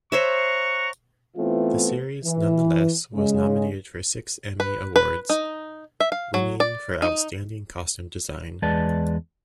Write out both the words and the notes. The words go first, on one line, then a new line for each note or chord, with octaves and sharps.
The series nonetheless was nominated for six Emmy Awards, winning for Outstanding Costume Design.
C5 C#5 E5 F#5 A#5 C#6
E3 A3 B3 C4 E4 F4
E3
C#3 G#3
B4
B4
D#4
E5
F5
F#3
D5
D#4
E2 G#3 B4 D5 A5